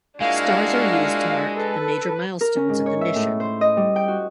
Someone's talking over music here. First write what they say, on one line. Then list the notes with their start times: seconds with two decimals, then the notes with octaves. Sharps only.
Stars are used to mark the major milestones of the mission.
0.20 A#2 G#3 D4 E4 F#4 F5
1.56 A4 B4
2.41 A#4
2.56 C#4
2.69 G#2
2.86 C#5
3.01 E5
3.16 A2
3.40 C5
3.61 D#5
3.77 G3
3.96 G5
4.08 F#4